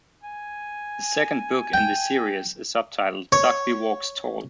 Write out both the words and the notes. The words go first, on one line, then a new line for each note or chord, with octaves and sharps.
The second book in the series is subtitled "Dogby Walks Tall".
G#5
G5
C#5